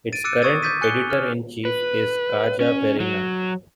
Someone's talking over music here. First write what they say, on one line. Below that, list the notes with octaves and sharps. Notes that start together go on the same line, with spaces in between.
Its current editor-in-chief is Kaja Perina.
A6 D7 D#7
D6 E6 F#6 A6 C#7 D#7
C#6 D#6 E6 G#6 A6 D#7
D6 G6 A6 B6 D#7
G#5 F#6 C#7 G7
F6
B4
C#4
F#3